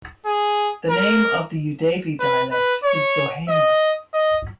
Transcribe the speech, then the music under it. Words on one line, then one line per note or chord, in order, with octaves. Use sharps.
The name of the Eudeve dialect is "Dohema".
G#4
A#4
B4
B4
C#5
D#5
D#5